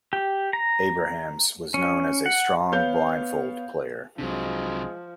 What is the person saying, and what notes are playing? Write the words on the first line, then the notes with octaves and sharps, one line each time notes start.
Abrahams was known as a strong blindfold player.
G4
A#5
C#4
F#5
B3 C#5 F5 G6
C2 C3 F3 F#3 G#3 D4